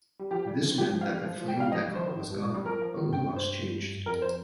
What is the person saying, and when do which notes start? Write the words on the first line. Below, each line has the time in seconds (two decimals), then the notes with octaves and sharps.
This meant that the flame decal was gone, but little else changed.
0.19 G3
0.31 F3 G4
0.47 G3
0.62 F3
0.78 F3 G4
0.94 F3
1.01 F5
1.09 G3
1.25 F3
1.40 F3
1.48 G5
1.56 G3 F5
1.72 F3 D#5
1.84 G3
1.95 F3 C5
2.07 D#3
2.19 G2
2.31 G2
2.42 A#2
2.54 G3
2.65 F3 A#4
2.81 F3
2.97 D#3
3.13 G2 G5
3.36 C5
4.06 F2 A#4
4.22 C5